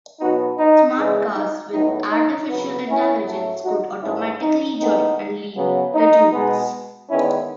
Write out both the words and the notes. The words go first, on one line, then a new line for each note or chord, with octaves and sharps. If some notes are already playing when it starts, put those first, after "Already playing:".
Smart cars with artificial intelligence could automatically join and leave platoons.
B2 F#3 B3 D#4 F#4
D#4
E2 C#3 E3 G#3
D#4
A2 F#3 B3 D#4
D#4
E2 C#3 F#3 B3
C#4 E4
A2 F#3 A3
D#4 F#4
G#2 E3 A3 C#4 E4
D#4
A2 G#3 B3 D#4
C#3 F#3 B3
D#4
B2 G#3 B3
E2 D#3 G#3 B3 C#4 E4